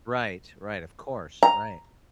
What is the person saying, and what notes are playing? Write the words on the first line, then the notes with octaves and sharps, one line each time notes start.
Right, right, of course, right.
A#5